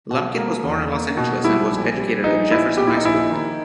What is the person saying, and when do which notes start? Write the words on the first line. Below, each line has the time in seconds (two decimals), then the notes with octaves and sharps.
Lumpkin was born in Los Angeles and was educated at Jefferson High School.
0.11 B2
0.38 A#3
0.63 E2
0.91 A#3
1.17 B2
1.44 G3 E4
1.71 A#1
1.98 G3
2.24 A#1 D#4
2.51 A#1 E4
2.77 A#2 G4
2.87 E4
2.96 D#4
3.04 A#1 E4
3.31 D#3